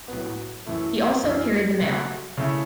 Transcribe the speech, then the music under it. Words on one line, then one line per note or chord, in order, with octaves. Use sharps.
He also carried the mail.
A2 F#3 B3
F#2 E3 A3 E4
F#2 E3 C#4
C#3 F#3 A3 F#4
C#3 A3 E4